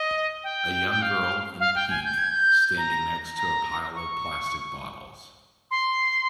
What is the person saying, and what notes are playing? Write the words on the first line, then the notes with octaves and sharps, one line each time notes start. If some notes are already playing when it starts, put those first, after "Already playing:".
A young girl in pink standing next to a pile of plastic bottles.
Already playing: D#5
G5
G5
F5
F5
G5
G#5
G6
G#6
G6
A#5
A#5
C#6
C6